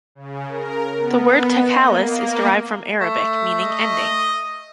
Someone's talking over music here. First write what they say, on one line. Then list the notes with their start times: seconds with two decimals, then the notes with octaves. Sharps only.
The word "takhallus" is derived from Arabic, meaning "ending".
0.15 C#3
0.46 A#4
0.97 B3
1.50 D#5
1.81 A#3
3.01 A3
3.60 D#5